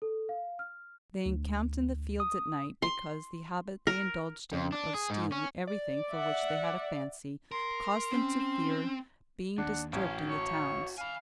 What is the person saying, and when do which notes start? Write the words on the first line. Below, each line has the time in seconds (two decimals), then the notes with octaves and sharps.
They encamped in the fields at night, because the habit they indulged in of stealing everything for which they had a fancy, caused them to fear being disturbed in the towns.
0.02 A4
0.29 F5
0.59 F6
1.26 D2
2.20 D#6
2.82 C6
3.87 A#4
4.53 F2
4.72 D4
4.94 G#4
5.10 G#2
5.32 C#4
5.67 D5
6.11 E5 F#5
7.51 A#4 C6
8.12 C4 C#4
9.58 D#2 D4 F#5
9.93 A1 C#4 F#4 G5
10.28 C#5
10.98 F5 G#5 B5